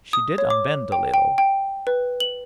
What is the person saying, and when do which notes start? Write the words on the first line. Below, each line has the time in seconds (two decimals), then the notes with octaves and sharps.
She did unbend a little.
0.13 D#6
0.38 C#5
0.50 D6
0.92 G5
1.14 G5
1.38 G5
1.87 B4
2.20 F#7